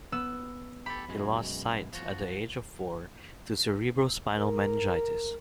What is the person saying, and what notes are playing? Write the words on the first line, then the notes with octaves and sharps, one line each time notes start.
He lost his sight at the age of four to cerebrospinal meningitis.
B3 E6
G4 A4 B5
F#2 B2 G#3
F3 F#4
A#4